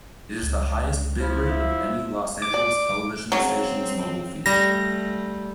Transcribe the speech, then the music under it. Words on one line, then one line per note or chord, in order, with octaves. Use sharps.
It is the highest bitrate of any Los Angeles television station's mobile feed.
C#2
F3 E4 F5
E5
D6
D5
C#3 F#3 C4
G3 A3 A#6